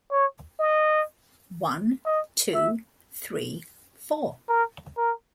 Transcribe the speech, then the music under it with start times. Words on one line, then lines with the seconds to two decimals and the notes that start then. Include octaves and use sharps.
One, two, three, four.
0.11 C#5
0.59 D#5
2.06 D#5
2.54 E5
4.49 A#4
4.97 A#4